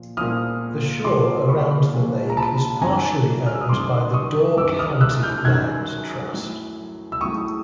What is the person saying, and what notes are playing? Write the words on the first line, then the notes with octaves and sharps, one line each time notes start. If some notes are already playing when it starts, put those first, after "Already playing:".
The shore around the lake is partially owned by the Door County Land Trust.
Already playing: A#2 F3
A#2 F3 D#6 F6
A#2 F3 C6 D6
B5 C#6
A#2 F3
A#5
A5 B5
F#2 D#3 F#3 G#5 A#5
F6
E6
D#6
F#2 D#3 F#3 C6 D6
C#6 D#6
F#2 D#3 F#3 D6 E6
D#6 F6
E6 F#6
F6 G6
F#2 D#3 F#3 F#6 G#6
A2 F#3
E6
A2 F#3 C#6 D#6